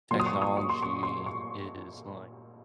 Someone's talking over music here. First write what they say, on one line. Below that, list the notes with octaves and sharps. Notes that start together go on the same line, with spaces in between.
technology is, like
A#2 F#3 C6
D#6
C#6
D#6
C#6
C6
C#6
C6
C#6